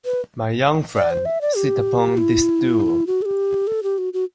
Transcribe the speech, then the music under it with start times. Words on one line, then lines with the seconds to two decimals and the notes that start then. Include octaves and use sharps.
My young friend, sit upon this stool.
0.05 B4
0.96 D5
1.11 C5
1.25 E5
1.41 D5
1.56 G4
2.17 E4
3.07 F#4
3.22 A4
3.25 G4
3.67 A4
3.83 G4
3.98 F#4
4.13 F#4